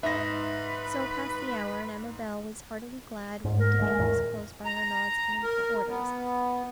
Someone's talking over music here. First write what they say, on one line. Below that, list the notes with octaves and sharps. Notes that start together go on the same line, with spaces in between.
So passed the hour; and Amabel was heartily glad when the debate was closed by Arnaud's coming for orders.
G#2 D#4 B4 E5 A#6
G#2
A#4
D2 G#3
E2 A2 D#3
A#5
A#4
B3